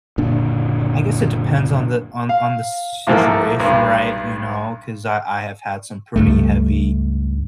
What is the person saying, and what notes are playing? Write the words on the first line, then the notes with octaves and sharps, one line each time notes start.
I guess it depends on the on on the situation, right, you know, ‘cause I I have had some pretty heavy
F#1 A#2 D3 D4
F5
C2 G#2 F3 A#3 A4
B1 G2
C#2 G2 A3